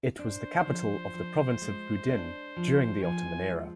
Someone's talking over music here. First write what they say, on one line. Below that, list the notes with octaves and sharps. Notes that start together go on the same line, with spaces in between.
It was the capital of the province of Budin during the Ottoman era.
D4 C5
F3
F3
G#3
D4
F3
F3 G#5
G#3